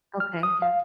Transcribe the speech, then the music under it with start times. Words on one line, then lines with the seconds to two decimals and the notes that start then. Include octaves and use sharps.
Okay. Yeah.
0.20 F6
0.43 D#6
0.62 F5